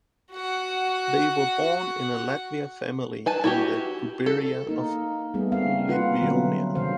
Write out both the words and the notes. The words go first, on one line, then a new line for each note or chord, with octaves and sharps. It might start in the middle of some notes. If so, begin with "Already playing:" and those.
They were born in a Latvian family in the gubernia of Livonia.
F#4 F#5
B4 G#5 A5
E4 F#4 G4
A4
A#3 D#4 A#4
G3 A3 B3 G#4
A#3 C4 F5
A#3 C4 F4 B4 F#5
D3 F#3 A3 B3 C#4
C3 D#3 C5 F5